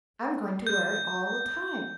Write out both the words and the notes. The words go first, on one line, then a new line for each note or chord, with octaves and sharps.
"I'm going to wear it all the time."
G6